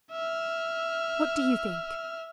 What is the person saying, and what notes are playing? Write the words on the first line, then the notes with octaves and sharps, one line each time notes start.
What do you think?
E5 F6